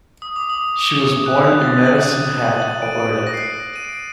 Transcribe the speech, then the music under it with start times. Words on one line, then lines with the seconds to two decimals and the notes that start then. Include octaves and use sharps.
She was born in Medicine Hat, Alberta.
0.22 D#6
0.36 D6
0.50 D#6
1.26 F#6
1.43 G6
1.61 A6
1.78 D#7
1.86 F#7
1.94 D#7
2.00 F#7
2.08 D#7
2.15 F#7
2.23 D#7
2.30 F#7
2.38 D#7
2.45 F#7
2.53 D#7
2.60 F#7
2.68 D#7
2.82 D7
2.91 D#7
3.00 D7
3.27 A#6
3.34 C7
3.76 D#7
3.85 D7